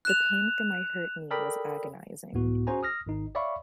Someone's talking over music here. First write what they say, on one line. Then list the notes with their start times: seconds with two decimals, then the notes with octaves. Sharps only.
The pain from my hurt knee was agonizing.
0.05 F#6 E7 F7
1.31 A4 A#4 D5 G5 B5 D#6
2.33 C#2 A2 B3 F#4
2.67 C#4 F#4 G#4 C5 G#5 A#5
2.83 D#6 F6 A#6
3.06 G#1 D#4
3.35 C#5 D5 E5 F5 B5 C#6